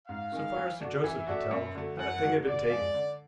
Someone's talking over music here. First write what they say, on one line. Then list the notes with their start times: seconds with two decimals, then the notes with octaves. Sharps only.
So far as Sir Joseph could tell, not a thing had been taken.
0.08 G#2 F5
0.32 D#3 G#3
0.56 E3
0.80 A3 D4 F#4
1.04 E3 E5
1.27 A3 D4 F#4
1.51 F#2
1.75 D3 F#3 A3
1.99 F#2 F#5
2.23 D3 F#3 A3
2.47 D3 D5
2.70 F3 G#3
2.94 D3